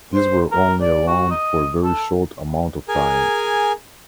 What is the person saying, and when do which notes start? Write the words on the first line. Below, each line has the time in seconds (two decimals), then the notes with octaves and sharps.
These were only around for a very short amount of time.
0.14 C5
0.52 A#4
0.81 D5
1.07 F#4
1.31 D#5
1.84 A4
2.88 G#4 A#4 G#5